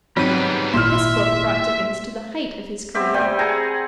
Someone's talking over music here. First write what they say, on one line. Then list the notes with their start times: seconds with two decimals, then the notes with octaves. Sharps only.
This book brought Dickens to the height of his career.
0.17 G#2 F#3 G3 B3 C4 B5 D#7
0.74 G#1 A#2 A#3 E4 E5 C6 F6
2.94 B3 C4 G4 E5
3.14 G3 C4 G5 G#5
3.39 G#4 F#5 G#5 A#5